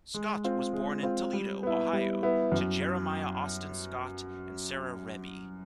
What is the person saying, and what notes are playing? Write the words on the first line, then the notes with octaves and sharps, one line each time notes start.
Scott was born in Toledo, Ohio, to Jeremiah Austin Scott and Sarah Remey.
G#3
C4 F4
G#3
C4 F4
G3
B3 E4
G3
B3 E4
F#2